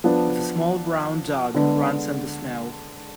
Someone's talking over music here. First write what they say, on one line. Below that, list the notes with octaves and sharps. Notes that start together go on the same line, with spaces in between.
The small brown dog runs in the snow.
F3 B3 D4
D3 G#3 B3 D4